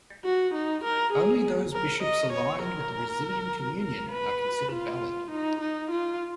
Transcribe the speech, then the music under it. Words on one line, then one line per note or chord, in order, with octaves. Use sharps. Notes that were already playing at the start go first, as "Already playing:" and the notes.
Only those bishops aligned with the Brazilian communion are considered valid.
F#4
D#4
A#4
G#4
A#4
D#5
C#5
A#4
A#4
B4
F4
D#4
D#4
F4